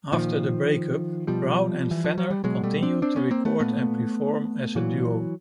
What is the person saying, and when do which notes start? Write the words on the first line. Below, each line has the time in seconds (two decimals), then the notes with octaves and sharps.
After the breakup, Brown and Fenner continued to record and perform as a duo.
0.12 A#2 D#3 F3
1.27 B2 F3 G3
1.91 E3
2.04 F3
2.18 F#3
2.30 G3
2.44 B2 F#3 G#3
2.63 G3 A3
2.83 C4 D4
3.02 C4 D4
3.16 B3 C#4
3.31 A#3 C4
3.45 A3 B3
3.60 A#2 A3 B3
4.75 A#2 E3 F#3